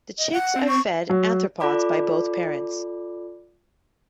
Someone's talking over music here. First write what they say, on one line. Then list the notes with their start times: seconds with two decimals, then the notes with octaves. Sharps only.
The chicks are fed arthropods by both parents.
0.18 D#5
0.32 F#5
0.56 C4
0.68 C#6
1.10 F#3
1.60 F4 A4 D5 B5 D6